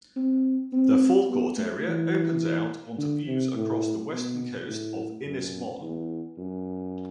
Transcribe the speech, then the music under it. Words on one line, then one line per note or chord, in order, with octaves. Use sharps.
The forecourt area opens out onto views across the western coast of Ynys Mon.
C4
C4
B3
A3
E3
D3
C3
A2
B2
A2
F#2
E2
F#2